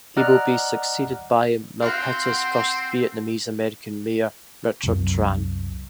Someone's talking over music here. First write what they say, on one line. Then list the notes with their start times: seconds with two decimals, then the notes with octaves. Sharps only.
He will be succeeded by Milpitas' first Vietnamese American mayor Richard Tran.
0.17 D5 D#5 F#5 A#5 F6 F#6
1.82 C4 F#4 E5 F5 C6
4.83 C2 F#2